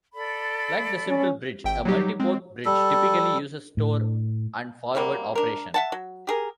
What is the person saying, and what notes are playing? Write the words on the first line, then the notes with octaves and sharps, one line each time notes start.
Like the simple bridge, a multiport bridge typically uses store and forward operation.
A4 D5 B5
C#4
G#1 E5 G5
F#3 G3 D#4 G4
G#3 C4
G3 A4
A2
C3 F#3 G3 A#3
D4 A#4
E5 F#5 A5
F#3
G4 G#4 A#4